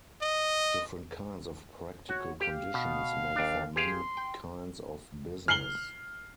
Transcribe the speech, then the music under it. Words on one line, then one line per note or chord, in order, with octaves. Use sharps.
Different kinds of practical conditions make for many kinds of business.
D#5
F#4 C#5
G4 F5
B2
D#2 D4
G4 G#4 F5 C6
G5
F6 C7 F#7 G7